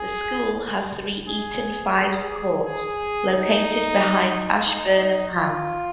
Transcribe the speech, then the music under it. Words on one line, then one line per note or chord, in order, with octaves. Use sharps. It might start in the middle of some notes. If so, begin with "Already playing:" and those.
The school has three Eton Fives courts, located behind Ashburnham House.
Already playing: G#4
G#4
G#4
G#4
D#4
D#4
F4